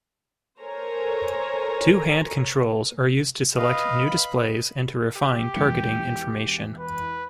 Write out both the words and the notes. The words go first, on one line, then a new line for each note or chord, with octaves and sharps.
Two hand controls are used to select new displays and to refine targeting information.
A4 A#4 C5 C#5 G#5 A#5
B4 D#5 F5
B5
G4
E1 E3 C#7
B4